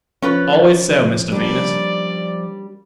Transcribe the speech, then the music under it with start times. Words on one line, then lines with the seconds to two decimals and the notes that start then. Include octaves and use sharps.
'Always so, Mr Venus.
0.22 F3 C#4 F4 B4
1.32 G3 A#3 D4 D5